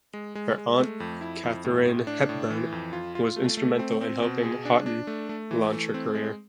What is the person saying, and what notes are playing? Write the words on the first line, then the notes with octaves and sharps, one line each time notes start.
Her aunt, Katharine Hepburn, was instrumental in helping Houghton launch her career.
G#3
G#3
G#3
A3
F2
E4
F2
A2
A2
D4
A2
E3
F2
F4
F4
A3
A3
C4
C4
B2
G#4
D4
D4
A3
A3
E3
A3
C4
G#3